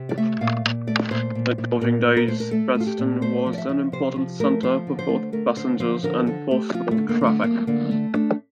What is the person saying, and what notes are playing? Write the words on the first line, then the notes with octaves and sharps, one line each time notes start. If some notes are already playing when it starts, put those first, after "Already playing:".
In coaching days, Preston was an important centre for both passenger and postal traffic.
Already playing: C3
D5
A3 E5
A#2 F5
A#2
A3 D5
A#2 C5
A#2
A#2
A#2 A#4
A#2
A#4
A3 C5
A#4
A3 A4
A3
F4
G4
A#2
A3 C5
F3
D5
E5
F3
C3 C5
F3
A3 A#4
F3 C5
D3
C5
A3
A3 A#4
D3 C5
F3 C5
D3 A#4
D3 A4
A3 G4
F3 F4
A3
D3
A#3
D3
A3
A3 A#3
D3 A#3
A3
A3 D4